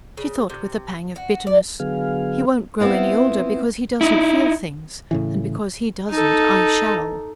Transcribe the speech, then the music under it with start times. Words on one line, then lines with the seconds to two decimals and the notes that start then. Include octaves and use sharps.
She thought with a pang of bitterness: "He won't grow any older because he doesn't feel things; and because he doesn't, I SHALL..."
0.17 C#3
0.50 C3
1.16 F#4
1.47 D5
1.80 D3 F#3 B3 G#4 F5
2.80 B3 C4 E4 F4
4.01 D#4 E4
5.11 A2 C#3 E3
6.11 D#4 A4